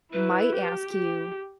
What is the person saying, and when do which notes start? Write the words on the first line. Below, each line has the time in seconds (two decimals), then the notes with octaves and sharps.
might ask you
0.12 E4 B4
0.52 G4
0.93 G4